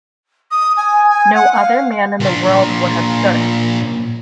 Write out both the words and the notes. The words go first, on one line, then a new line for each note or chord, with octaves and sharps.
No other man in the world would have stood it!
D#6
G#5
G#5
F#5
F5
A#2 D4